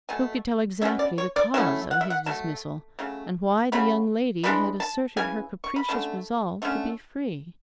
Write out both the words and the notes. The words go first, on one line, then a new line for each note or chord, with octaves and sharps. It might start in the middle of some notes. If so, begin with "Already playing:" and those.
Who could tell exactly the cause of his dismissal, and why the young lady had asserted her capricious resolve to be free?
B2 A3 G#5
B2 A3 C#4 E5
D5
C#5
D5
F#3 A3 C#4 E4 E5
F#5
E5
F#5
F#3 A3 A5
C#3 F#3 A3
C#3 F#3 A3 B5
C#3 E3 G#3 D4 B5
A5
C#3 E3 G#5
C#6
B5
D3 A3 C#4 A5
D3 A3 C#4